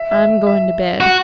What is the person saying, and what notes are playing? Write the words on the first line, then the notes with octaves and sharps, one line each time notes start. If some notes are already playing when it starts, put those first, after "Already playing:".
"I'm going to bed."
Already playing: E5
E5
E5
F#4 F#5 B5